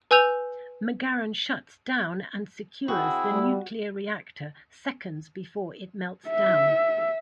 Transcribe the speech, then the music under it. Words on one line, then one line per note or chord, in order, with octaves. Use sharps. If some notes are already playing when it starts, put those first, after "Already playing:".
McGarren shuts down and secures the nuclear reactor seconds before it melts down.
B4 G#5 E6 G6 F7
C4 E4 F#4 G#4
G3
E5